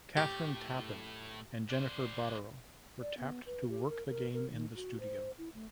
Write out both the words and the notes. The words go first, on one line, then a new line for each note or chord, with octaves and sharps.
Kathryn Tappen and Jennifer Botterill were tapped to work the game in the studio.
A2 A3 G4
D4 C5
D5
B3
B4
G4
A#4
A#4
A#4
D#3
F#4
C5
E4
A3